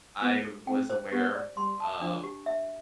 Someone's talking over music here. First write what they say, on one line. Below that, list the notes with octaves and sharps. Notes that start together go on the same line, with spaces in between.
I was aware of
B3 F4
A4
C4 G5
C5
B3 G4
D5
G3 C6
A5
F3 D4
G4
E5